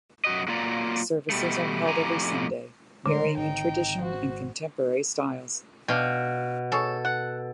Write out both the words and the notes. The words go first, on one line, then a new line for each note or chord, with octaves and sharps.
Services are held every Sunday, varying in traditional and contemporary styles.
F#2 F#4 D#5
F#3 A#3 F4 D5 A#5
B2 G3 A3
F2 A2 G4 G#5 A#5
D1 D3 G#3 A3 A#4 C6
G#1 D#4 G5
F#4 C5
B2 D4 F5 G5
G#4 A4 C#5
F#5